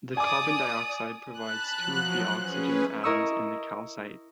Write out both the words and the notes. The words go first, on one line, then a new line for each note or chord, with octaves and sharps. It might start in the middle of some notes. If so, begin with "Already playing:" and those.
The carbon dioxide provides two of the oxygen atoms in the calcite.
D5 G#5 D6 D#6
A5 B5 F#6
F3 F#3
C#4 G#4 B4
E4 A#4 D#5 C#6 E6